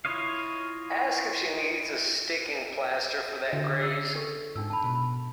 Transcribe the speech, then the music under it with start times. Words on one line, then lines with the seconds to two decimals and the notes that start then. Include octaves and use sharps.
Ask if she needs a sticking plaster for that graze.
0.05 E4 F4 C#5 D#5 F5
3.53 D3 D4 F#4 E5
3.81 D5 E6
4.15 D4 A4 C#6
4.56 G#2 D4 D#4 E6
4.70 A5 B5
4.84 B2